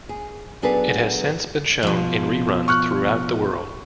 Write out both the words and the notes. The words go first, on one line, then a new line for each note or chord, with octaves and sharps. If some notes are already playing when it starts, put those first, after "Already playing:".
It has since been shown in re-runs throughout the world.
G#4
F#3 B3 D4 G#4 A4 B4
B2 F3
C#6 F6 F#6